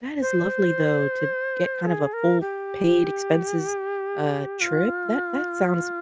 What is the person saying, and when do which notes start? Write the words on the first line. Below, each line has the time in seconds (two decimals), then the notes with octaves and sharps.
That is lovely, though, to get kind of a full paid expenses uh, trip, that that sounds
0.21 C5
1.85 G#4
2.13 A#4
2.41 G4
4.61 F4